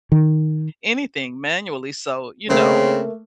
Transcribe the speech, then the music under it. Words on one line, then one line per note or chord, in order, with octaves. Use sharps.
anything manually, so, you know.
D#3
C#3 A3 A#3 C4